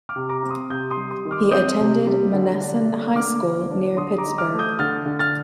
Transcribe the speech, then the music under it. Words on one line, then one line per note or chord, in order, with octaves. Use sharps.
He attended Monessen High School near Pittsburgh.
D6 F6
C3
A#5 D6
C4
C6 D#6
C3 D#6 G6
C6 D#6
G3
C6 D#6
D#3
D6 F6
C4 D#6 G6
C3
G3
D3
D4
A3
D3 D6 F6
D3
D4
D3 C6 D#6
A#5 D6
D#4
D6 F6
A3
D#6 G6
D3 F6 A6
D3
F6 A6